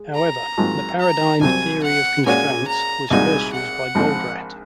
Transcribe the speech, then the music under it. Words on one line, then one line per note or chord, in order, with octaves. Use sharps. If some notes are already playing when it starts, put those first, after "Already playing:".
However, the paradigm "Theory of constraints" was first used by Goldratt.
Already playing: G#3
A#5
G#2 D#3 F#3 C4 F4
A#5
C2 C3 F#3 C4 G#5
F#5
A#2 G#3 C#4 F#4 C#5 G#5
A#5
C2 A#2 G#3 D#4 F#4 G#5
F#5
A#1 G#2 F3 C4